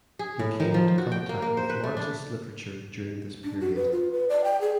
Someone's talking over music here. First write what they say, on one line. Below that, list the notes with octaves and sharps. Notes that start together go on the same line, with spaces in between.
He came into contact with Marxist literature during this period.
G#4
A2
D#3
F3
F#4
G5
A#3
A#3
C5
B4
A3
D4
D4
F#4
B4
F4
B4
D5
G5
G#4